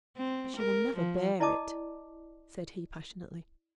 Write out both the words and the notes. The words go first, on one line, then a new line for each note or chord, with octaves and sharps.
'She will never bear it,' said he passionately.
C4
A#4
F3
E4 D5 D#5 A5 D6 D#6